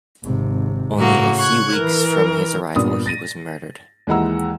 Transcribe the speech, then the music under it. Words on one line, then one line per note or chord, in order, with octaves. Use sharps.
Only few weeks from his arrival he was murdered.
G#1 C3
A2 C#3 A#3 F#4
C#6 F#6 G#6
E3 A#4
G2 A#2 B3 D#6
A6 A#6 D#7
D#2 E3 G#3 F#5 A#5 E6